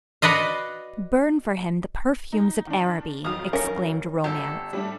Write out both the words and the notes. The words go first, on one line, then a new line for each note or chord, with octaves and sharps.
Burn for him the perfumes of Araby! exclaimed romance.
F#4 B4 D5 D#5 F5
D#4
D#3 D4
F2 D#3 F#3 F5 D#6
C#4 A#4
G1 D3 G4 A4
G3 A3 D4